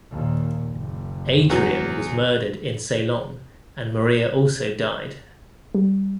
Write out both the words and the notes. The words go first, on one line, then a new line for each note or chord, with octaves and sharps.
Adriaan was murdered in Ceylon and Maria also died.
D#2 A#2
F#1
E2 F#3
G3